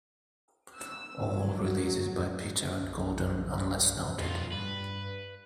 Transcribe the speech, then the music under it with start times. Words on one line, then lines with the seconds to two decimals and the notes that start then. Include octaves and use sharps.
All releases by Peter and Gordon unless noted.
0.76 E6
1.33 F#3
2.83 B1
4.20 F2 B2 F4
4.52 G2 B4